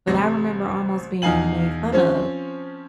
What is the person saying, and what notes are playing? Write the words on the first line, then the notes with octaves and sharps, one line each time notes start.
but I remember almost being made fun of
A1 C3 A#6
E2 B2 D#4 F5 G#5 F#7
F3 C4 C#4 C#5